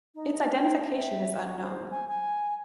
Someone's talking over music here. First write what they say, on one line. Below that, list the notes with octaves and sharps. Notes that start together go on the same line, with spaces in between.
Its identification is unknown.
D#4
D#5
G5
E5
F#4
C5
G#5
G#5